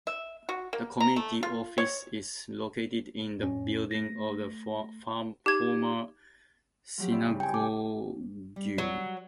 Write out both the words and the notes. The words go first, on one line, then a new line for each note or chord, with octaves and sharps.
The community office is located in the building of the former synagogue.
E5
F#4
A#3
A#5
A3
F4
C#5
F2 A2 C#4
A3 A#6
D#4 G4 G#6
F3 F#3 G4
C4 E4 D5
G2 C#3
G5 G#5
D6
G3
F#3